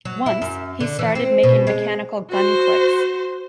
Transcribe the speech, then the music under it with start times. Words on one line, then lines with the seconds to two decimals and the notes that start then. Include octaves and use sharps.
Once, he started making mechanical gun clicks.
0.05 F#3
0.26 E4
0.42 F#2
0.80 D3
0.99 E3
1.15 C4
1.43 B2
1.67 G#3
2.29 F#4 C5